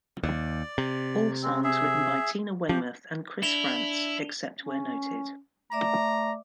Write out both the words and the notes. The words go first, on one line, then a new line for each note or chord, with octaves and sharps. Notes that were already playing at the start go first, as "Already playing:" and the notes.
All songs written by Tina Weymouth and Chris Frantz, except where noted.
D#2 D5
C3
G#3 C4
G#4 E5
F3 G4
D4 E4 F7 G7
C#4
A3 D5 E5 A#5 D6